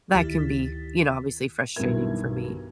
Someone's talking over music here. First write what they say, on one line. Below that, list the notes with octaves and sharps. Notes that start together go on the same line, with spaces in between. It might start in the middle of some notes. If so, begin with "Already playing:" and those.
that can be, you know, obviously frustrating for me,
D2 D#3 E4 G4 A6 B6
B1 G2 D#3 E4 A#4 G#6